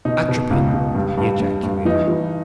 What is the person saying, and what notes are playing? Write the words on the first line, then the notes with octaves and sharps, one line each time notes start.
"Atropin!" he ejaculated.
B2 D#4
B2
C#2
C#2
G2
G2
G2
G2
E3 D#4
E3